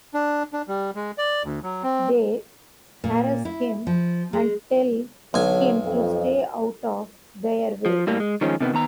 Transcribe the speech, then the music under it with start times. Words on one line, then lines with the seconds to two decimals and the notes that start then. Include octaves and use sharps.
They harass him, and tell him to stay out of their way.
0.14 D4
0.53 D4
0.68 G3
0.95 G#3
1.18 D5
1.43 D2
1.63 F#3
1.83 C4
3.04 A#2
3.45 E4
3.87 F3
4.33 G#3
5.34 B1 D3 F#3 G#5
5.84 F2
7.86 F3
8.07 A2 G3 A#3
8.20 G#3
8.41 D#3 F3 G#3 C#4
8.61 C3 D#3 B3
8.73 D#3 B3 A#5